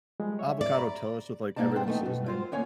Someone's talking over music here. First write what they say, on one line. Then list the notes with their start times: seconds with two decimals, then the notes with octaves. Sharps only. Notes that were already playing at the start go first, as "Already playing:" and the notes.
avocado toast with, like, everything seasoning.
0.20 F3 G3 G#3
0.39 C#5 E5
0.61 D5
0.75 A#5 B5
1.56 B2 F#3 A#3 D#4 D5 A5
1.71 B3 C4
1.87 E3 A3 B3 D#4
2.05 B2
2.26 F#3 F4 C5
2.52 D2 A#3 C#4 C#5 G#5